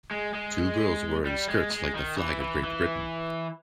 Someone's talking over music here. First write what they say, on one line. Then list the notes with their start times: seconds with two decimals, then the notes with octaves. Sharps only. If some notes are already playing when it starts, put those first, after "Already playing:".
Two girls wearing skirts like the flag of Great Britain.
0.11 G#3
0.34 G#3
1.25 G3
1.49 G#3
1.72 G#3
1.95 D#3
2.17 E3
2.41 E3
2.64 E3